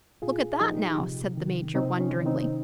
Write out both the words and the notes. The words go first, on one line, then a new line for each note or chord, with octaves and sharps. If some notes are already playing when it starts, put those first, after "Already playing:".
"Look at that, now!" said the Major, wonderingly.
A#2 F4 G#4
F3 D#4 G4
C3
D#3
C3 C4 D#4
C#4
D#3
C4 D#4